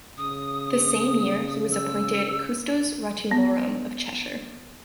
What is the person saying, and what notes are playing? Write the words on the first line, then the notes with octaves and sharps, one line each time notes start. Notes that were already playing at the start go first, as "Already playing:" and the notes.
The same year he was appointed Custos Rotulorum of Cheshire.
C#3 D#6
E6
B3